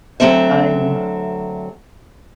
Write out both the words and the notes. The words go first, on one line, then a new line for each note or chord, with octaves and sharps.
But I'm
D2 F#3 A#3 C4 A4 E5